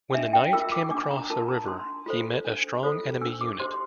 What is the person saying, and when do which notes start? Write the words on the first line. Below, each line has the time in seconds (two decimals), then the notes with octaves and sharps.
When the knight came across a river he met a strong enemy unit.
0.14 D4 E5
0.33 G5
0.53 F4 A#4 E6
0.72 D6
0.91 D4 D6
1.11 A#5
1.30 F4 A#4 A5
1.48 A#5
1.68 D4 C6
2.06 F4 A4 C5
2.45 D4
2.83 F4 A4 C5
3.21 D4 E6
3.41 D6
3.60 G4 C5 C6